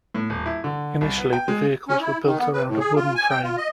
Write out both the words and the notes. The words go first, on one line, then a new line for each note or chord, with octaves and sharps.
Initially the vehicles were built around a wooden frame.
A2
D#1
E4
D3
C2
B3
G5
G#3
C#4
E4
D#3
B3
B4
A2
G#4
F4
G#5
G5
F4
D#5